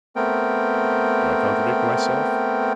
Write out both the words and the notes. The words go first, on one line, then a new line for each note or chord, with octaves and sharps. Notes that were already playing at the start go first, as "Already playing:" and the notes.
Do I contradict myself?
A3 B3 C4 A#4 G5